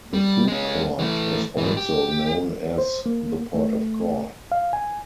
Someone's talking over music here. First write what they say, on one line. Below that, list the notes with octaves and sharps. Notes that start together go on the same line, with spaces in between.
The food court was also known as the Port of Call.
G3
G#3 C#4
E3 A3
G#2 E3
G4
C5
A#3
A3
F5
G#5